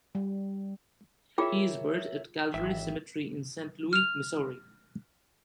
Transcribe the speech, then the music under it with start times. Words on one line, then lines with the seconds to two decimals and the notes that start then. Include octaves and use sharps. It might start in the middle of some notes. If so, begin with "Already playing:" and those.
He is buried at Calvary Cemetery in Saint Louis, Missouri.
0.15 G3
1.38 F4 G#4 A#4 C#5 E5 G5
2.54 G#1 E3 E5 G5
3.93 F6 F7